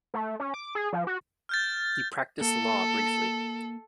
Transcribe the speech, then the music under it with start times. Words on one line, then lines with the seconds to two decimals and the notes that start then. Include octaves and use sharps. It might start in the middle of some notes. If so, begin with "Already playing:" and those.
He practiced law briefly.
0.14 A3
0.40 C#4
0.54 D6
0.75 G#4
0.93 F3
1.07 F#4
1.49 F6 G6 A6
2.41 A#3 A4